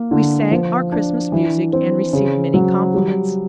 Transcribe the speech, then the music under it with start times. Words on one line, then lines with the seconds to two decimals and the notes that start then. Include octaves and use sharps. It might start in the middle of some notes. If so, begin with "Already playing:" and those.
We sang our Christmas music, and received many compliments.
Already playing: A#3
0.11 D3
0.51 F3
0.92 D4
1.32 E3
1.73 C4
2.13 C#3
2.54 F#3
2.94 G3